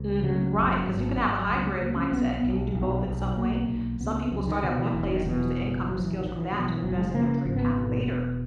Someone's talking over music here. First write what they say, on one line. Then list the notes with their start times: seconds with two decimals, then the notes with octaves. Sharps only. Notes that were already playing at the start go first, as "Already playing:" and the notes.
Mhm, right 'cause you can have a hybrid mindset, can you do both in some way? Some people start at one place and use the income or skills from that to invest in their dream path later.
Already playing: C#2
0.23 C#3 F#3
0.55 F#1
0.87 G#1
1.18 G#1
1.49 C#2 F#3
1.65 G#3
1.80 C#2 A#3
1.96 C#4
2.12 B1 B3
2.33 B3
2.43 B1
2.75 B1
3.06 B1
3.37 B1 A#3
3.69 B1
4.00 C#2 B3
4.10 A#3
4.16 B3
4.31 C#2 F#3
4.47 D#3
4.63 B2 D#3
4.79 E3
4.94 E1 E3
5.10 D#3
5.26 B2 E3
5.57 F#1
5.88 A#1 F#3
6.04 E3
6.20 A#1 D#3
6.35 E3
6.52 B2 D#3
6.60 F#3
6.67 E3
6.82 F#1 F#3
6.98 G#3
7.14 C#3 A#3
7.45 G#1
7.56 B3
7.77 B2
8.08 E1